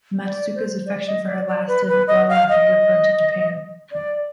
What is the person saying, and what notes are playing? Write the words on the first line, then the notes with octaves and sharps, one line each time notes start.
Matsuoka's affection for her lasted well after he returned to Japan.
D5
C5
D5
D#5
D5
D5
B4
B4
D#5
F5
D#5
D5